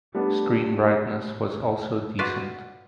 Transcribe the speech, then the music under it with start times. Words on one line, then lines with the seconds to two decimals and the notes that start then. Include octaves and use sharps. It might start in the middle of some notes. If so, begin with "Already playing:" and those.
Screen brightness was also decent.
0.15 G3 A3 B3 D4
2.19 F4 F#4 B4 D5